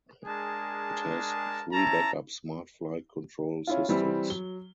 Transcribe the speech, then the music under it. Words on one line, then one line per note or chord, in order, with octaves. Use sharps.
It has three backup smart flight control systems.
G#3 D4 G#4 A#4 A5
C#4 E4 A5 A#5
C#4 E4 F4
E3 G3 C4 E4
F#3 G7